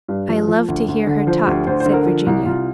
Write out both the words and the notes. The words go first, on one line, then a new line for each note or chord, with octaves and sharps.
"I love to hear her talk," said Virginia.
G2
F3
F3
D2
D2
D3
F3 C5
D2 G4
D2 C5
C5
D3
A#4
F3
C2
C2 F4